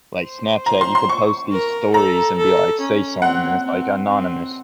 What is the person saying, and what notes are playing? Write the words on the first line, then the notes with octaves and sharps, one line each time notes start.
like Snapchat. You could post these stories and be like, "Say something," and it's like anonymous,
C5
A#5
C6
C6
C#6
A#4
A4 A#5
A4
C#4
C4 F#5
C4
C4